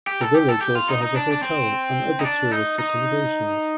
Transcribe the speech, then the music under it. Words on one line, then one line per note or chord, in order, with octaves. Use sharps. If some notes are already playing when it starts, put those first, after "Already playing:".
The village also has a hotel and other tourist accommodations.
G4
A4
G4
A4
G4
F4
D#4
D#4
D4
D4
C4
D#4
D4
D#4
D#4